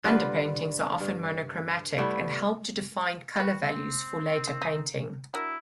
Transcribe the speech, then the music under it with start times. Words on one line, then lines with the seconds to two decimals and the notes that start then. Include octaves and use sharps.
Underpaintings are often monochromatic and help to define color values for later painting.
0.04 D3 G3 F4 B4
1.00 G2
1.98 G3 A3 B3 E4
3.36 F#4 G4 B4
3.63 C4
4.48 D#3
4.62 D#4
5.34 F#3 D4 E4 A#4